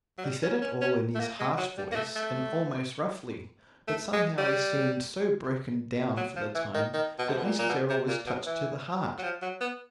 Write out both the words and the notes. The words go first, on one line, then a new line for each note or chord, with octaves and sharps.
He said it all in his harsh voice, and almost roughly, but somehow he seemed so broken down for the time that Mrs. Errol was touched to the heart.
F#3
G3
C#4
C#4
C#4
A3
A#3
G#3
F#3
G3
A#3
A3
A3
A3
G#3
G3
F#3
F3
E3
D#3
D#3
B2
C3
B2
A#2
A#2
B2
C3
A#2
B2
E3
F#3
F3
F#3
B3